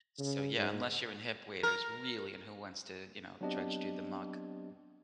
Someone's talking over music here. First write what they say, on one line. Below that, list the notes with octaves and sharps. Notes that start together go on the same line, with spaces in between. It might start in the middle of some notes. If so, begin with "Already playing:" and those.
So, yeah, unless you're in hip waders, really, and who wants to, you know, trudge through the muck
C#3
G#2
A#4
F#3 B3 C4 D4 G4 D#5